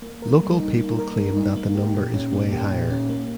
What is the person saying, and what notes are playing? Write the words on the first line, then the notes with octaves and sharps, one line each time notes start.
Local people claim that the number is way higher.
A#3
A#4
G3
D#4
A#3
A#4
G3
D#4
A#3
G4
A#2
C#4
A#3
G4
A#2
C#4
A#3